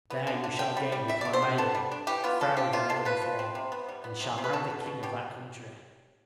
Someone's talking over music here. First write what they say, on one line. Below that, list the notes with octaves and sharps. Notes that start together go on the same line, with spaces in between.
There you shall again become a maiden, fairer than ever before, and shall marry the king of that country.
B3
D3
D3
D3 G5
G3
G3
G3 E5
D3 D5
C5
D3
B3 A4
G3
D4
E3 G4
B3 F4
G3 A4
F3 G4
C3 F4
C3 A4
F3 B4
F3
C4
C3
B3
G3
B3
C3
C3
B4
B2 A4
B2
B2
B2 G4